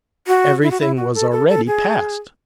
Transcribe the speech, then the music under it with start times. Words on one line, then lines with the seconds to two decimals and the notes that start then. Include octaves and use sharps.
Everything was already past.
0.27 F#4
0.62 E4
0.71 F#4
0.80 E4
0.97 F#4
1.15 A4
1.32 A4
1.49 A4
1.67 G#4